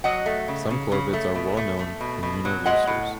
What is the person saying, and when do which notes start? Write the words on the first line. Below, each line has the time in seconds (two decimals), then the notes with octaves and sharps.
Some corvids are well-known communal roosters.
0.04 F#3 D#5 F#5
0.26 A3
0.48 C#3
0.71 C#3
0.92 C#3
1.13 A3
1.35 B2
1.57 A3
1.79 A3
2.01 B2
2.23 B2
2.45 F#3
2.66 G#3 D#5 F#5
2.87 A2